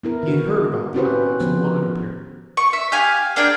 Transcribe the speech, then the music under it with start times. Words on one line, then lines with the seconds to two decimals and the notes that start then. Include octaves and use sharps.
He had heard about the ibex and wanted a pair.
0.03 B3 E4 A#4
0.23 D#3 F#4
0.94 C#4 E4 F#4 G4 B4 C5
1.40 F3 B3 C5
2.57 C#6
2.73 E5
2.92 G4 F5 G#5
3.36 A#3 D4 G#4 G5